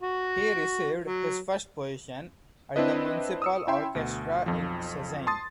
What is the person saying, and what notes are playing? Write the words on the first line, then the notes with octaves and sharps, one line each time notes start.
He received his first position at the municipal orchestra in Szczecin.
F#4
F#3
C4 D4 E4 B4 D#5
D#6 E6 C#7
C#4 E4 E5 G5 B5 C6
D2 B2
B1 F2 F3
A5 C6 D#6 A6